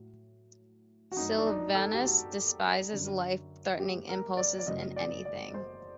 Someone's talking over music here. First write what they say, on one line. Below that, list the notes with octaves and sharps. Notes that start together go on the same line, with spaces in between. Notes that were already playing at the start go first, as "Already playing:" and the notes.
Silvanus despises life-threatening impulses in anything.
Already playing: A2 F#3
F#4
F#2 F#3 A3 D#4
D4
D#4
A4
G4
F#4
F#2 D3 F#3
G4
A#4
D5
D5
F#1 F#2 F#3 A3 D#5
D5
D5
C5